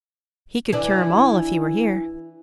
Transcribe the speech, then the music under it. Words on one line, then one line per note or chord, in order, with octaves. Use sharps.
"He could cure 'em all if he were here."
E3 D4